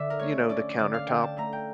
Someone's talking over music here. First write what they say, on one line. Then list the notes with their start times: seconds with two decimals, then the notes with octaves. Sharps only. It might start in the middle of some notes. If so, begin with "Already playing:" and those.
you know, the countertop
Already playing: D3 D5 E5
0.10 A#4
0.19 A3 C#5
0.49 C#4 D5
0.79 D3 D5
0.94 F5
1.08 D3 G5
1.24 A5
1.38 A3 A#5
1.53 G5